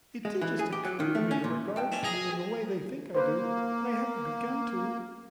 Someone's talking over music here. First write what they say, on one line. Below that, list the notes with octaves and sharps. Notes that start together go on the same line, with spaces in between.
It did just OCCUR to me to regard you in the way they think I do, but I hadn't begun to.
G#3
E3
G#4
G4
F#3
D#3
A3
C#4
A#2
B2 G5 A5
C#4 D4 E4
G#4 D#5 A#5
A#3 B4 C5